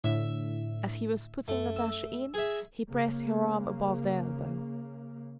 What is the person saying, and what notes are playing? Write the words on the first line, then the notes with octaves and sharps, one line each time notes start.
As he was putting Natasha in he pressed her arm above the elbow.
A2 D3 E5
F#2 A3
E6
G#4 E5
C#3 A#3